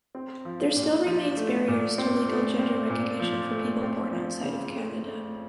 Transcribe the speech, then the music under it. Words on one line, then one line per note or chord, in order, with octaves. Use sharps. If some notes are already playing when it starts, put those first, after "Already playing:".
There still remains barriers to legal gender recognition for people born outside of Canada.
C4
F3
A#2
F3
A3
A#2
C4
A3
C4
A#2
F3
A3
C4
F3
C#3
A3
A3